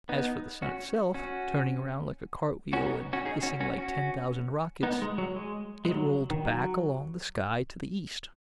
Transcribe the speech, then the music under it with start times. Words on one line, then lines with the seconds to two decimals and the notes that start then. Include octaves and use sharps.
As for the sun itself, turning round like a cartwheel and hissing like ten thousand rockets, it rolled back along the sky to the east.
0.09 B3 D#4
0.62 C#4 F#4
1.14 C#4 F#4
2.73 C#4 F#4
2.86 B3 D#4
3.13 C#4 F#4
3.25 D#4 G#4
3.43 C#4 F#4
3.60 C#4 F#4
3.78 C#4 F#4
4.83 B3 D#4
5.02 G#3
5.18 F#3
5.36 G#3
5.85 G#3
5.89 F#3
6.31 D#3
6.41 F#3